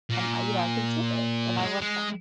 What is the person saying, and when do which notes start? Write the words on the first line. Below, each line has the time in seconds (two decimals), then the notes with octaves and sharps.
I'm, you know I can skip it, and I love that,
0.10 A#2
1.58 G#3
1.81 G#3